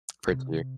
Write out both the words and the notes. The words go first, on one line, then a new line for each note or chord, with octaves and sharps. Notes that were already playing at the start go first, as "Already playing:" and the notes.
Pray clear
C3